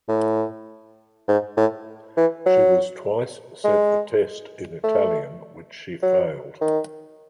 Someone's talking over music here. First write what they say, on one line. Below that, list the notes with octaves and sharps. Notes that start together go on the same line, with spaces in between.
She was twice set the test in Italian, which she failed.
A2
G#2
A2
E3
F#3
G#3
A3
F#3
D#3